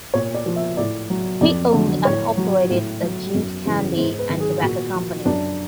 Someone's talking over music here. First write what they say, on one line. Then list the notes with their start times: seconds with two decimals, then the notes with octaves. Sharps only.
He owned and operated the Jude Candy and Tobacco Company.
0.14 A#2 C#5
0.34 D5
0.46 F3
0.56 E5
0.77 A2 D5
1.10 F#3
1.41 F2 D5
1.73 D3
1.78 F#3
2.05 A2 C#5
2.37 F#3
2.70 A2
3.02 F#3
3.34 F#2
3.65 C#3 E3
3.97 G#2 C5
4.19 B4
4.29 D#3 F#3
4.40 G#4
4.62 A#2 F#4
4.94 F3
5.25 F#2 D4